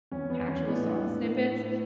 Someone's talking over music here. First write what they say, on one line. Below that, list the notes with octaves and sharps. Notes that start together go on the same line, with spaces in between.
actual song snippets,
E2 C#4
B3
E2
C#4
A2 B3 D4
A2
A2
A2